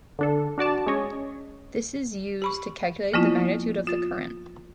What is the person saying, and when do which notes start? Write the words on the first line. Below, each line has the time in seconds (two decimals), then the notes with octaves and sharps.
This is used to calculate the magnitude of the current.
0.19 D3 D4 A4
0.58 D4 F#4 D5 A5
0.86 G#3 C#4 C#5 D#5
2.42 G4 B5 C#6
3.13 F3 A#3 B3 E4 F4
3.87 F4 A6